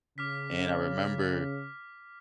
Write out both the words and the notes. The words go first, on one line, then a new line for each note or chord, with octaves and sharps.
and I remember,
C#3 D6 F6 B6